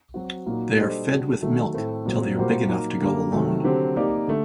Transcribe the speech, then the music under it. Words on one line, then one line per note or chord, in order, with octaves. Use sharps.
They are fed with milk till they are big enough to go alone.
F#3 C4 F#4
A#2 F#3 A#3 D#4 F#4
G3 D4 A4 C5 D#5
G3 D4 F#4
D#3 F#3 A3
A2 A3 C4
A#2 F#3 C4
A#2 G3 A#3 F#4 C5
F#3 A#3 D#4
D3 G3 A#3
C3 D#3 F#3 A3
D3 F#3 C4 G4 C5
A#3 D#4 G4 D5
D3 A3